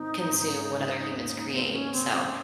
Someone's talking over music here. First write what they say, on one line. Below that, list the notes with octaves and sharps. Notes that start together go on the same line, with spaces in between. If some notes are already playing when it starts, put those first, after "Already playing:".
consume what other humans create. So
Already playing: G#2 D#3 C4 D#4
G#2
C#3
D#2
D#2 C4
C4
C#4
C#3 C4
C4